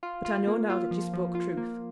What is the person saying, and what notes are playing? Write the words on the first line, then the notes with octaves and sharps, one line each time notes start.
But I know now that you spoke truth.
F4
F4
A#3
F4
F3
F3
F4
A#3